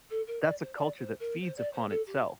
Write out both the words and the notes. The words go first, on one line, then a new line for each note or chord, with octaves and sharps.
that's a culture that feeds upon itself.
A4
A#4
D5
C5
D5
C5
A#4
C5
D5
C5
A4
G4